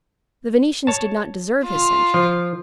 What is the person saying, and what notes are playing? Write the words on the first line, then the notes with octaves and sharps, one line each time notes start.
The Venetians did not deserve his censure.
C#5 A5
F4
F3